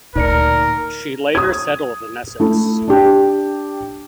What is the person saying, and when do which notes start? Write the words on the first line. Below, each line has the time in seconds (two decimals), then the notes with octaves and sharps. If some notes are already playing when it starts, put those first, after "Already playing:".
She later settled in Essex.
0.15 D2 A#2 D#4 A#4 D5 C#7
1.35 D#6 G#6
2.40 A3 E4
2.88 D4 G4